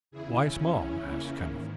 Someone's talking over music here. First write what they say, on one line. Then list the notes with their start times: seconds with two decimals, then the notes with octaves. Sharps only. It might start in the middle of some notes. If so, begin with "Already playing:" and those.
"Why small?" asked Kenneth.
0.11 E2 C#3 E3 E4 G#4
0.43 C#4 E4
1.06 A#3 C#4
1.38 G#2 D#3